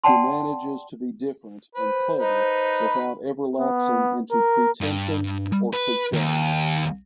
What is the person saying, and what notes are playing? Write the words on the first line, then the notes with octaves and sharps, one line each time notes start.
He manages to be different and clever without ever lapsing into pretension or cliches.
D5 F#5 G5 A5 C6
B4 C5
D#4 B4
B3
A#4
G2
B4
D#2